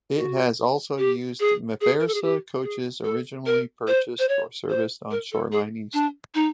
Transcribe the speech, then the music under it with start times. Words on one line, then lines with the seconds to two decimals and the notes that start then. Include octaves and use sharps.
It has also used Mafersa coaches originally purchased for service on Shore Line East.
0.16 F#4
0.98 G4
1.40 G#4
1.81 G#4
2.00 A#4
2.07 A4
2.14 G#4
2.22 G4
2.63 G#4
3.04 A4
3.46 A#4
3.87 C5
4.19 C5
4.29 C#5
4.70 C5
5.11 A#4
5.32 A4
5.52 G#4
5.93 D4
6.34 D#4